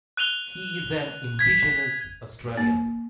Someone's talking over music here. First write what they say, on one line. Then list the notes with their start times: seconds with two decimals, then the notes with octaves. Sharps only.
He is an Indigenous Australian.
0.17 F#6 D#7 F7 G7
1.39 G#6 B6
2.57 A#3